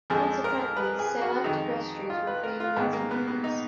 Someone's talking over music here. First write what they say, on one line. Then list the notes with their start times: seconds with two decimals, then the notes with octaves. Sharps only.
Consequently, select vestries were created in some of these.
0.10 F2 F3 G#3 G#4
0.44 A#4
0.77 B4
0.99 G#4
1.22 F#4
1.44 F2 D#3 G#3 D#4
2.10 F4
2.27 B4
2.43 A#4
2.60 F4
2.76 G#2 D#3 G#3 B3
2.93 A#3
3.11 B3
3.28 B3
3.44 D#4